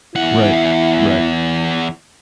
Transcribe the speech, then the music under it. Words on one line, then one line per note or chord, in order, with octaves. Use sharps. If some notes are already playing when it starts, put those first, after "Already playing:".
Right. Right.
E2 E4 F#5